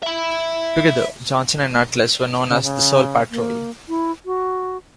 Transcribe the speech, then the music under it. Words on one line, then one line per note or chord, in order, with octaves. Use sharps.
Together, Johnson and Atlas were known as "The Soul Patrol".
E5 B5
C#3
C#3
A#3
E4
F#4